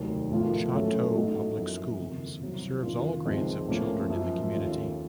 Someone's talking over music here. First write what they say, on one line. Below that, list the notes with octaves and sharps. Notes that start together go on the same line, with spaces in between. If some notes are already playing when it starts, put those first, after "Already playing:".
Choteau Public Schools serves all grades of children in the community.
Already playing: F1 D#2 D#3 F#3
A1 A2 F3 A#3 F4
A2 F#3 A3 C#4
A1 A2 A3 D#4 F#4
F#2 F3 A#3
F#1 F2 C3 D#3
C2 C3 F#3 C4
F2 D#3 A#3 C#4 F4
C#2 C3 F3 C4 D#4
A2 F3 A#3 C#4
F#2 F3 A#3
D#2 D#3 A3 C#4 F4